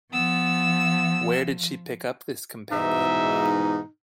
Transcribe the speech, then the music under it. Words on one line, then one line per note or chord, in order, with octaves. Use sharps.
Where did she pick up this companion?
F3 B3 E6
G#2 B2 E3 D#4 E5